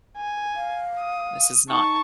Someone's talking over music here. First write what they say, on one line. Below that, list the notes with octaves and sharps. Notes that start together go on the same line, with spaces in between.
This is not
G#5
F5
D#6
D#4 A5 C#6